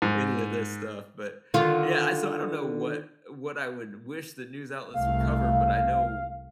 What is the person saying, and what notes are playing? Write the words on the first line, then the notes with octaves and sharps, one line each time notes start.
any of this stuff, but yeah, I so I don't know what what I would wish that news outlets would cover, but I know
G#2
D3 D#3 F4
C2 A3 F5